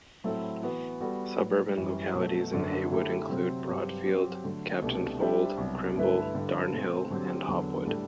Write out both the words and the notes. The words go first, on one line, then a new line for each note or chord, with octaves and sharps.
Suburban localities in Heywood include Broadfield, Captain Fold, Crimble, Darnhill and Hopwood.
A2 F#3 C4 E4 A4
E3 B3 F#4 B4
G3 B3 F#4 A4 D5
A2 F#3 B3
F#2 E3 G3
B2 F#3 A3
F#2 D3 F#3 A3 D4
D3 A3 E4 G4
C3 F#3 C4
G2 F#3 C4 G4
F#3 C4 G4
D3 F#3 A3
C2 B2 A3 D4 G4
G3 D4 G4 C5 E5
C2 B2 F#3
G2 D3 A3 E4 B4
G2 D3 G3
B2 A3 C4
D3 F#3 C4 G4
E2 D3 F#3
A2 G3 D4 A4 D5